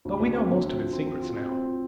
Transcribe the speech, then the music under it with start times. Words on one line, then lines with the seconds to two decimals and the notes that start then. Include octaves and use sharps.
But we know most of its secrets now.
0.05 D2
0.19 D2
0.33 C4
0.49 D2
0.63 C4
0.77 F3
0.93 C4
1.07 C4
1.22 F4
1.37 C4
1.51 C4
1.65 F4